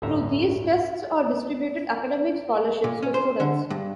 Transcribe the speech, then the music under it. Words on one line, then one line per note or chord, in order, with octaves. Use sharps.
Through these tests are distributed academic scholarships to students.
G1 D2 A2 C#4 E5 A#5
A#2
C#4
C5
D3
G2